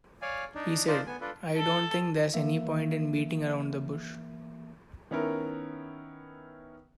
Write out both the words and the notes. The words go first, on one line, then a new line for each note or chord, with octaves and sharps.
He said: I don't think there's any point in beating around the bush.
C#5 D5 F5 G#5
D4 D#4
D4 D#4 F4 C5 D5
B3 G#5
D4 F4 A4 B4
A4
E3 A#3 E5
D#3 B3 C#4 E4 A#4